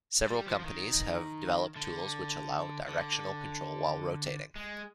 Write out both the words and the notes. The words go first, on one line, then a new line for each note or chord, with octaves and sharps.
Several companies have developed tools which allow directional control while rotating.
G3
F3
F3
D#3
D3
D3
G#3